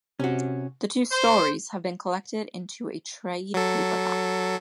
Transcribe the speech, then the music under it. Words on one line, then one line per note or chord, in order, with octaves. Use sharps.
The two stories have been collected into a trade paperback.
C3 C#4 F#4
C5
F#3 A4